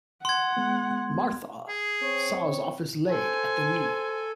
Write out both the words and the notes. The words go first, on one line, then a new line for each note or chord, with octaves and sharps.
Martha saws off his leg at the knee.
F#5 C6 G#6
G#3 B3
G#4
C4 C#5
A4 C5 G#5